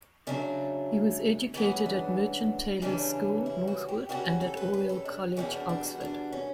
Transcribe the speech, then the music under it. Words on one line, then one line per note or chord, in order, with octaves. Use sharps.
He was educated at Merchant Taylors' School, Northwood, and at Oriel College, Oxford.
C#3 F#3 A3 D4
C#3 E3 B3 C#4
D4
C#3 E3 G3 C#4 D4
E4
F#4
G4
C#3 G3 C#4 F#4
F#4
A4
B4
B4
A4
D4
E2 B2 G3 C#4
D4
D4
F#4
D4
C#4